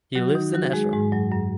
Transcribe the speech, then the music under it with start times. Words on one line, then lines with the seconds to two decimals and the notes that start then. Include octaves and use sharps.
He lives in Esher.
0.15 F#3 F#4
0.28 F#4
0.35 D#3 D#4
0.54 F#3 F#4
0.73 G#3 G#4
0.93 G#2 G#3
1.12 F#2 F#3
1.31 F#2 F#3